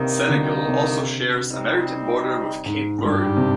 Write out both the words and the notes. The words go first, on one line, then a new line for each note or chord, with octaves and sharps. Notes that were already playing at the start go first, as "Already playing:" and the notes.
Senegal also shares a maritime border with Cape Verde.
Already playing: G2 C3 D#3 A#3 D#4
D3
C3
G3 C4 D#4
G#2
G#2
G2 G3 D4 G4
G#2
C3